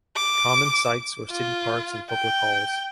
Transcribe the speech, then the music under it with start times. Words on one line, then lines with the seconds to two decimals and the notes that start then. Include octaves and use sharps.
Common sites were city parks and public halls.
0.16 D6
1.31 F4
2.09 G5